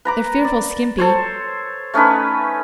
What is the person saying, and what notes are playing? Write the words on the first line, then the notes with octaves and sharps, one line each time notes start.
They're fearfully skimpy.
B4 A#5 D6
D5
A4 C5 C#5
A3 C#4 D#4 B4